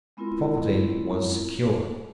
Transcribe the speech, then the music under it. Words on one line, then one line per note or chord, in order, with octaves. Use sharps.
Property was secure.
G#3 B3 C4 E4 F4 A#4